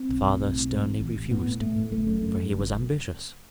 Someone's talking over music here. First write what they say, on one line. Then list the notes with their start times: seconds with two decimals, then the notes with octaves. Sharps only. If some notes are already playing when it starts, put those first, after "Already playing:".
But the father sternly refused, for he was ambitious.
Already playing: C4
0.09 B1
0.24 A2
0.40 B1
0.54 A2
0.70 A2
0.85 A1
1.00 A1
1.15 A1
1.31 A2 B3
1.46 A2
1.61 A2 A3
1.76 A2
1.91 F#1 A3
2.07 F#2
2.22 F#2
2.37 F#2
2.53 F#1